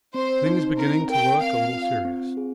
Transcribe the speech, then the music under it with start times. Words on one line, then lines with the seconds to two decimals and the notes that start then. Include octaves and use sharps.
Things beginning to look a little serious.
0.14 C4 C5
0.46 D#4
0.77 C4 A#4
1.10 A#4 G5
1.41 C4 F5
1.73 F4
2.05 C4
2.37 G#4